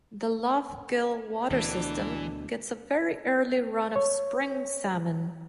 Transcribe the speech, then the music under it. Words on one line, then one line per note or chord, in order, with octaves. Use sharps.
The Lough Gill water system gets a very early run of spring salmon.
D2 B2 E3 D4
C#5